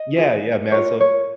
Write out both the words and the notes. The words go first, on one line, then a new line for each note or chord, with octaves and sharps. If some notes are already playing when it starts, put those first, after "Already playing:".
Yeah, yeah, Maslow.
Already playing: D#5
F4 G#4
F4 A#4 C#5
C#5